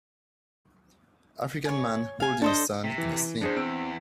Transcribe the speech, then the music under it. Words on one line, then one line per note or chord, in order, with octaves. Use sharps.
African man holding son in a sling.
C#5 G#5
F5 G#5
D4 A4 C5 D#5
C3
E3
E2 D4 G#4 C5
C4 E6 D7